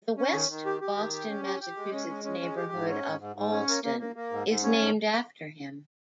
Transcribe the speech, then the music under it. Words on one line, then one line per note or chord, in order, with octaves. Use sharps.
The west Boston, Massachusetts neighborhood of Allston is named after him.
C#4
D#3
D#3
G4
G4
D#3
G4
C#4
G4
G4
G#3
C#4
G#3
C#4
G#3
G4
G#2
C#4
G#2
G#2
G#2
C#4
A#3
A#3
A#3
A#3
G#2
G#2
C#4
G#2